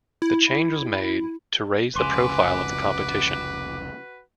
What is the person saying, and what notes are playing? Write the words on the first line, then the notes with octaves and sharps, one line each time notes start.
The change was made to raise the profile of the competition.
E4
F1 C#2 C#3 F#4 B4 G#5 C6 D6